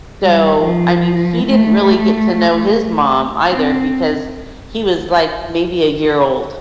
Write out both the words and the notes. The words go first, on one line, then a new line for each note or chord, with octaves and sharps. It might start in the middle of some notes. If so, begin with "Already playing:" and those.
So, I mean he didn't really get to know his mom either because he was, like, maybe a year old.
G3
F3
A3
C4